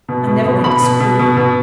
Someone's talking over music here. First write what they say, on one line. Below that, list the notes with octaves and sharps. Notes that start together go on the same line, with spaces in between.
I never went to school.
B2
B2
B2
B2 B5
B2
B2
B2
B2